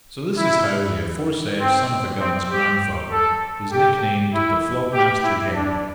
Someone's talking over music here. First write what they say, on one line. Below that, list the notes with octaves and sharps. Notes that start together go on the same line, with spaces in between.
So this is how the aforesaid son of a gun's grandfather was nicknamed the flogmaster-general.
E4
C4
C4
G4
A4
G4
E4
G4
E4
D4